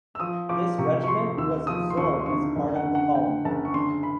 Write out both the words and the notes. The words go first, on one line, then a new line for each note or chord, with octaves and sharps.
This regiment was absorbed as part of the column.
E6
F3 D#6
F3 D6
C3 C#6
C#6
F3 C6
D#2 E6
F3 D#6
C6
D#2 C#6
C6
D3 C#6
F#1
F#5
D3
F#5
D3 G5
F#1 A5
C#6
D3 C6
B5